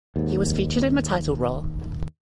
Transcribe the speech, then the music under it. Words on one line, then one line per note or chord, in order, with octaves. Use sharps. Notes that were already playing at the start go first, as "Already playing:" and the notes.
He was featured in the title role.
D#2 G#2